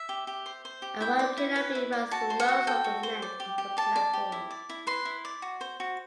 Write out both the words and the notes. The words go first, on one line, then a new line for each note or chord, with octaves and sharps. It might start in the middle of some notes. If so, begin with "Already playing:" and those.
A wide canopy runs for most of the length of the platform.
Already playing: E5
G4
G4
C5
C5
G4
E4 G5
D5
E4
B4
E4
D5
F#4 A5
C5
F#5
F#4
A4 G5
F#4
C5
D5
G4
G4
D5 A5
D5
G4
E4
D5
E4
B4 C6
E4
D5
F#4
C5
F#4